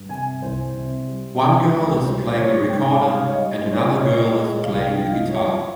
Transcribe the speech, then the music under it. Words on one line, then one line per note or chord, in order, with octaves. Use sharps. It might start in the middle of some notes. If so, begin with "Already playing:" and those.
One girl is playing a recorder and another girl is playing the guitar.
Already playing: G2
C3 G#5
C2 C5
C3
G3
C#3
C#2
G3 C5
C#3 C#5
G#2 G5
G3 F5
C#5
G3 D#5
C5
G3 C#5
D#5
A#2 C#5
C#5
G#3 D#5
C2 F5
G5
F3 F5
D#5
G3 C#5